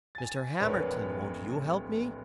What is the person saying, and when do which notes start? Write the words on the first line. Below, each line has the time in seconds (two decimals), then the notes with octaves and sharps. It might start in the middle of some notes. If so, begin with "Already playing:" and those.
"Mr. Hamerton, won't you help me?"
0.15 G#5 A6
0.60 D1 A#1 A#4 B4 C#5